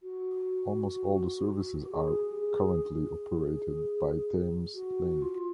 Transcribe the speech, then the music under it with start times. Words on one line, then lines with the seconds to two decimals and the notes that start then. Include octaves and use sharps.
Almost all the services are currently operated by Thameslink.
0.03 F#4
1.91 G#4
2.32 G4
2.39 G#4
2.86 G#4
4.74 F#4
5.22 F4